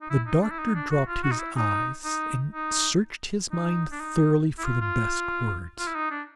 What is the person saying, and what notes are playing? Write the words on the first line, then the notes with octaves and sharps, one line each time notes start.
The doctor dropped his eyes, and searched his mind thoroughly for the best words.
D#4
E4
D#4
D4
E4
D#4
D4
F#4
F4
F#4
D#4
E4
D#4
D#4
D#4
D#4
D4
D#4
E4
F4
F4
F4
E4
D#4
D4